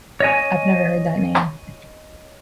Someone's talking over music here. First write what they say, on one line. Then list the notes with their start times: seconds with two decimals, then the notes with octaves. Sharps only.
I've never heard that name.
0.20 C#5 D#5 G#5